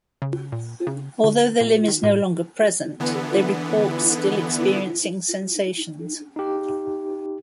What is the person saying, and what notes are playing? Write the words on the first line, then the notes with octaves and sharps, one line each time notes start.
Although the limb is no longer present, they report still experiencing sensations.
C#3
A#2
C#3
D3
A#2
D#3
A2
D3 E3 B3
D#4 G4